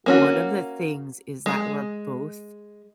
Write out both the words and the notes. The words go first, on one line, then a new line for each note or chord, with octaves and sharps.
one of the things is that we're both
A#3 C#4 F#4
G#3